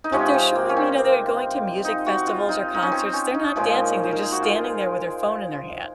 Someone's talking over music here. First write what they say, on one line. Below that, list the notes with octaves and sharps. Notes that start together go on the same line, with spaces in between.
But, they're showing me that they're going to music festivals or concerts, they're not dancing, they're just standing there with their phone in their hand.
D#4
C3 F3 G#3 C#4
C4
A#3
C#4
C4
A#3
D#4
F#4
F4
D#4
D#4
C#4
C4
C#4
D#4
A#2 F3 G#3
C5
A#4
G#4
F#4
F4